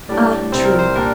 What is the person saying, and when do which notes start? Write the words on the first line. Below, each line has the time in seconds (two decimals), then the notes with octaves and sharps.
"Ah, true."
0.09 A2 G3 D4 D5
0.52 C2 C3 G3 C4 C5
0.65 A#4
0.79 C5
0.96 A#2 G3 D4 A#4